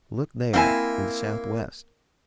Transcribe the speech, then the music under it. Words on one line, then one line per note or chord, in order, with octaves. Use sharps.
Look there, in the southwest.
A#3 C4 E4 G#5